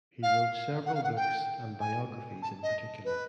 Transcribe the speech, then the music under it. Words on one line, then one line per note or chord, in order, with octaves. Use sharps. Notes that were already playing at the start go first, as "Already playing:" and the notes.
He wrote several books and biographies in particular.
F5
F#5
F5
F#5
G5
G#5
A5
D#5
B4